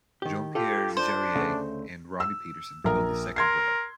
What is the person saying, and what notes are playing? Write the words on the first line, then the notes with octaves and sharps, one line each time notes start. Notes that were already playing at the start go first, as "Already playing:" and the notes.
Jean-Pierre Jarier and Ronnie Peterson filled the second row.
D#3 G4
F4 G4 A4
D4 C5
D2 C#3 A3
E6
A#1 A#4 A#5
A#4 C6 G#6 C7